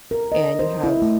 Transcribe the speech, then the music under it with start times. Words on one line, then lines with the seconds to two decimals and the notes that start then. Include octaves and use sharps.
and you have
0.11 A#4
0.32 D#5
0.59 C5
0.84 E4
1.02 A3